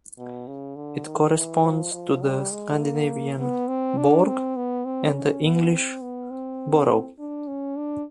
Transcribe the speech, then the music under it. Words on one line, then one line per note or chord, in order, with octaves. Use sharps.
It corresponds to the Scandinavian "Borg" and the English "Borough".
B2
C#3
D3
D#3
E3
F3
F3
G3
G#3
A#3
B3
C4
D4
C4
B3
C4
C#4
B3
C4
B3
C4
D4
C#4
D4